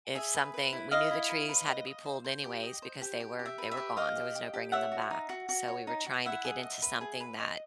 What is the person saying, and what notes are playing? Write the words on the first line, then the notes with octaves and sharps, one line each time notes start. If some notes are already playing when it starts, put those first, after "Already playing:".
if something we knew the trees had to be pulled anyways, because they were they were gone. There was no bringing them back. So, we were trying to get into something that
G#4 E5
B4
B4
E4
E4 D#5 F5
E4
B4
B4
D#5
D#5
C5
C5
G4
D#5
C5
G4
G4
G4
E5
B4
E5
G4
G4 D#5 F5
G4
G4
G4
C#5 E5 F#5
F#4
D#4
F#4
F#4
C#5
D#4
F#4
E4 E5 F#5
G#4
D#5
B4
G#4
B4
D#5